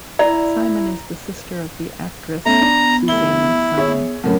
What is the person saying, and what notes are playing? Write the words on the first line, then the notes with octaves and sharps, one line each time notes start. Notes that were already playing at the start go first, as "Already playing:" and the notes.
Simon is the sister of the actress Susanna Simon.
E4 D5 A#5
A3 B3 C#4 A#5
D4
F1 E4 G7
G#4 C#5 E5
F2 A2 C#3 F#3 A#4 C#5